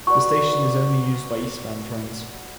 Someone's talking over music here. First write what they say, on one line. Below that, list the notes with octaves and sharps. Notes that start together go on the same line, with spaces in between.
The station is used only by eastbound trains.
F#4 B4 D5 C#6